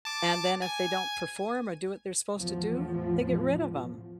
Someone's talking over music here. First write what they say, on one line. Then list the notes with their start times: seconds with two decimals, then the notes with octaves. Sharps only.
and then if they don't perform or do what they're supposed to do, they get rid of 'em,
0.05 A5 D6
0.62 G#5
2.34 E2 A2 F3